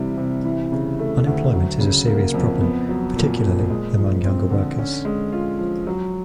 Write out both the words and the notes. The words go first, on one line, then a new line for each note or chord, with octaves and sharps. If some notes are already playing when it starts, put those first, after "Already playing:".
Unemployment is a serious problem, particularly among younger workers.
Already playing: C3 E3 G3
C3
E3
C#3
A3
D2
F#3
C#3
A#3
F2
B3
F#3
A#2
A#2
G#3
F3
C4
D3
C#4
G#3
F4
F3
F#3